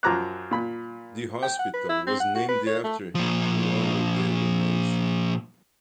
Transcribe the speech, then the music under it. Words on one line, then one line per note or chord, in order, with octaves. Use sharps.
The hospital was named after him to honor the donation.
F#2 F3 A#5 D6 F#6
A#2 B5
G5
F#5
B4
E4
C4
F#5
F#4
B4
C#5
A3
A#2 F3